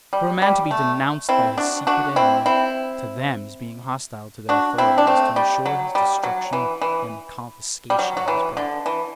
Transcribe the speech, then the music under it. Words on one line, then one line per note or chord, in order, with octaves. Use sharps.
For a man to be denounced by his secret enemy to them as being hostile to their authority was to ensure his destruction and the confiscation of his property.
G3
G3
A3
C4 E4
D4 F#4
D4 F#4
C4 E4
C4 E4
D4 F#4
C4 E4
D4
A3 C4
G3
F#3
G3
F#3
E3
E3
G3
F#3
F#3
E3
D3
E3